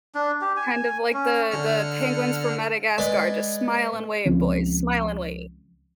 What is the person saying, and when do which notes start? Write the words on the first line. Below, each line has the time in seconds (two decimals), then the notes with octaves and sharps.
Kind of, like, the the penguins from Madagascar, "Just smile and wave, boys. Smile and wave."
0.15 D4
0.41 G4
0.57 G#5
1.13 C#4
1.51 D3 F6 C#7
2.98 G#3 B4 D5
4.25 C#2 C#3 F3 C4